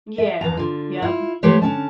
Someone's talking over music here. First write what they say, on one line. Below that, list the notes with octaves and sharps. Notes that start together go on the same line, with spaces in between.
Yeah. Yep.
E5
E2 A#5
D3 F4
E4 F4
E3 A3 G4 C5 C#5
D3 C#4 A5